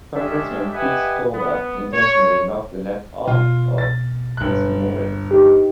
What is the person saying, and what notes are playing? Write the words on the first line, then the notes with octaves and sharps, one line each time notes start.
Congressman Pete Stauber intentionally knocked the net off of its moorings.
G#3 C#4 D4 G4 A4 E5
G4 B4 D#5 E5 F#5 G#5
B3
C#5
B2 F4
A6
G1 F#6
D#4 G4